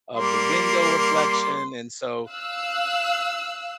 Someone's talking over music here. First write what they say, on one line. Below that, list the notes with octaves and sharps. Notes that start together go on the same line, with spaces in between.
of the window reflection, and so
G3 A#3 C6
F5 E6 F#6